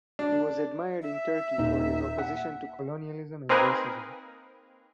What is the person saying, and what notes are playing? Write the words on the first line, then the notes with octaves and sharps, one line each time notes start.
He was admired in Turkey for his opposition to colonialism and racism.
D4
E5
D#1 D#4
F#5
A#3 C4 D#4 G#4 A#4 B4